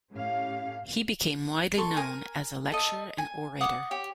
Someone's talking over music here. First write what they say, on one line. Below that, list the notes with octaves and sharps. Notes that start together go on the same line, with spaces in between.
He became widely known as a lecturer and orator.
A2 C#4 G4 F5
A4 C6 C#6
A#4 G#5
A4 D#5
G#5
F#5 D6 D#6
G4 C#5